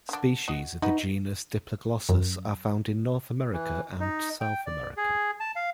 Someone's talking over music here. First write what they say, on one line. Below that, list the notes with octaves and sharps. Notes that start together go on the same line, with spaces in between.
Species of the genus "Diploglossus" are found in North America and South America.
D3 D4
F#4 D#5
D#4 F#4 B4
F#2
E3
D#4
G5
D5
G#4
A5
F5